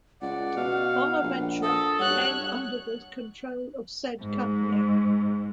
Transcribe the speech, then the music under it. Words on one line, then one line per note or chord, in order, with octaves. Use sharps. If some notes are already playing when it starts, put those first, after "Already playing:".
Bonaventure came under the control of said company.
C#2 D5 F#5
B2 F5
A#1
A4 D#6
G2 F#4 C#5 F#5 F#6
G#2